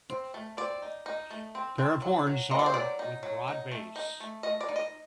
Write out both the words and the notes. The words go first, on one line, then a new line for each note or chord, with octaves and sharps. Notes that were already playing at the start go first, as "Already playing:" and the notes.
Pair of horns are with broad base.
C4
A3
C4 D5
D#4
D#4
A3
C4
C4
F#3
F#3
C4 D#5
D5
C5
F#3 D5
D#4
F#3
D#4
A3
D#4
A3
A3 D#5
D5
D#4
D#5